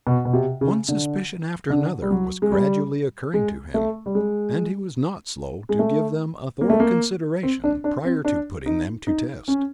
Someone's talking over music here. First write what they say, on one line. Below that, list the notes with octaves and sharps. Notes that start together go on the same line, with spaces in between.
One suspicion after another was gradually occurring to him, and he was not slow to give them a thorough consideration prior to putting them to test.
B2
B2
C3
C#3
D3
D3
G3
F#3
G#3
G3
G#3
A3
G3
G#3
G#3
A3
A#3
A3
A#3
C4
D4
D4
C4
D4
D#4
D#4
C#4